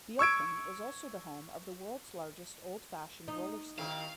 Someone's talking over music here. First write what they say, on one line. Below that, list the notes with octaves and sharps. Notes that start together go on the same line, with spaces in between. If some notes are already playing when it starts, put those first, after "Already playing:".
Bealeton is also the home of the world's largest old-fashioned roller skate.
C#6 E6 G#6 D7
D#4
C3 D#3 E4 F5